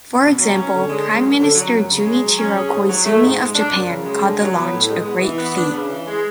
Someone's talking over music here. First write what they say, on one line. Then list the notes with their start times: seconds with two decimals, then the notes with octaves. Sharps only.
For example, Prime Minister Junichiro Koizumi of Japan called the launch "a great feat".
0.22 B2
0.39 F#3
0.55 C#4
0.72 D3
0.89 G#3
1.05 C#4
1.22 F#2
1.38 D3
1.55 F#3
1.73 F#2
1.89 C#3
2.05 G#3
2.22 F#3
2.39 C#4
2.55 G#4
2.73 G#2
2.89 F#3
3.05 A3
3.22 G#2
3.39 G#3
3.55 D4
3.72 F#2
3.89 C#3
4.06 G#3
4.22 D3
4.39 F#3
4.55 B3
4.72 A2
4.89 G#3
5.06 B3
5.22 E3
5.38 B3
5.55 D4
5.72 C#3
5.89 E3
6.06 G#3